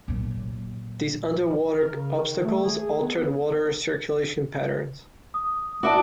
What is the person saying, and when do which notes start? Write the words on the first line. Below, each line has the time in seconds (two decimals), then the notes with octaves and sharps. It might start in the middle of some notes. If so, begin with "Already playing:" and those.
These underwater obstacles, altered water circulation patterns.
0.08 A#2 F#3
1.75 A#4
1.92 C#3
2.17 D#3
2.44 A3
2.63 G#4
3.00 B3
5.34 D#6
5.83 D4 E4 F#4 E5 D6